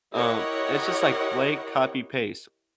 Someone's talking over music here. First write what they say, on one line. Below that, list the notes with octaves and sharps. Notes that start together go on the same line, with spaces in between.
Um, it's just, like, blank, copy, paste,
E4 G4 A#4 C#5 D#5 F#5